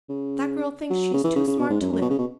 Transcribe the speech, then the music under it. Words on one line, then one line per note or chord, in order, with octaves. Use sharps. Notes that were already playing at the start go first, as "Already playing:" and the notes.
That girl thinks she's too smart to live.
C#3
F#3
C#3
E3
C#3
C#3
B2
G#2
F#2
F#2
B2
C#3
B2